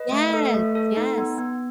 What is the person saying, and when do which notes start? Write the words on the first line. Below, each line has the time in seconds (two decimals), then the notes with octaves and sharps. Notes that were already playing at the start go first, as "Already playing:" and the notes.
Yes! Yes.
Already playing: B4 D#5
0.12 A3
0.34 A4
0.54 A3
0.75 A4
0.97 D#4
1.18 B3
1.39 B3